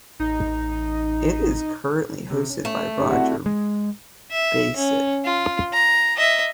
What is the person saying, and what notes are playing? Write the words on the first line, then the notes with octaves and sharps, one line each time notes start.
It is currently hosted by Roger Basick.
A1 D#4
C3
C#4
A3
G#2 C#3 G4 C#5
C4 E4 F#4 D5 F#5
G#3
E5
C#4
F4
A#5
D#5 E5